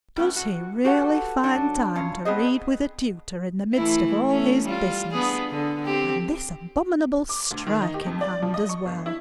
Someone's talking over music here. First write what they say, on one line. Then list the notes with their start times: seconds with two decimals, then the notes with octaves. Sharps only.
Does he really find time to read with a tutor, in the midst of all his business,--and this abominable strike in hand as well?'
0.16 G3 A3 B3 C#4 E4
0.36 F#4
0.84 F#4 G4 A4 B4 E5 F#5
1.43 F#3 D4
1.95 E2 C#4 F4
2.25 B3 C4 D4 G#4 C5 D#5
3.74 E3 A3 E4
4.28 A3 C#4
4.64 G3 F4
5.13 B3 D4 G#4
5.51 D3
5.85 C4 G4
7.29 D6
7.51 D2
7.67 D#3
7.82 D#4
7.94 G4
8.06 F2
8.21 D5
8.42 F3
8.54 D#5
8.69 C#6
8.85 G1
9.06 E4